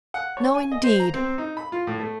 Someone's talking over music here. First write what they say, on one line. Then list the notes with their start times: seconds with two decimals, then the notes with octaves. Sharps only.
No, indeed!
0.14 F#5
0.37 C#5
0.54 G#5
0.72 D#5
0.84 C5
1.00 A#5
1.14 C4
1.38 D#4
1.57 B5
1.72 F4
1.87 A2
2.00 A3